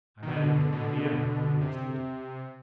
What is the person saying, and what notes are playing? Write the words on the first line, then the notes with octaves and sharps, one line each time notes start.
I met him again in Vienna three years later.
D#3
B2 D3
B2 D3
C3